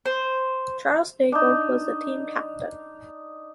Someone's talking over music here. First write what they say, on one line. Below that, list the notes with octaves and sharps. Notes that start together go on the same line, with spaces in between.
Charles Nagle was the team captain.
C5
D4 D#4